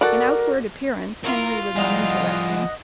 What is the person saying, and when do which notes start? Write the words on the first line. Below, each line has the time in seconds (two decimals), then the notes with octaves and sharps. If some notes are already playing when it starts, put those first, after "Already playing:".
In outward appearance Henry was uninteresting.
0.01 F#4 A4 A#4 D5
1.24 E4 F4 A#4 C#6
1.76 F3 G3 E4 G#4 D#5 F#5 A#5